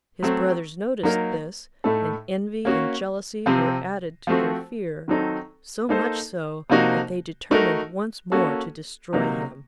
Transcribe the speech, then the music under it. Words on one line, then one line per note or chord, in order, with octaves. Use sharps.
His brothers noticed this, and envy and jealousy were added to their fear, so much so that they determined once more to destroy him.
F#3 A3 C4
F#3 A#3 D#4 A#4
A2 A3 D#4 A4
A#3 C#4 F#4
C3 F3 C4
F3 A3 C4 F#4
D#3 F#3 C4 D#4 A4
A#3 D#4 A4 C5
C3 F3 A#3 D#4 F#4
A3 D#4 F#4 A#4
A#3 C#4 F#4 A4
C3 F#3 A#3 D#4